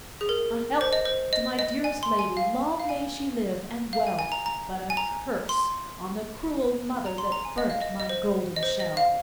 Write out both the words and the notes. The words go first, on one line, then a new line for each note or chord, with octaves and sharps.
'A health to my dearest lady, Long may she live and well! But a curse on the cruel mother That burnt my golden shell!'
G#4
A#4
C5
D#5
C5
D#5
D#5
G#5
C6
G#5
F5
F5
G#5
F5
G#5
G#5
A#5
A#5
G#5
A#5
C6
A#5
C6
A#5
G#5
D#5
F5
D#5
D#5
C5
D#5
C5
D#5
F5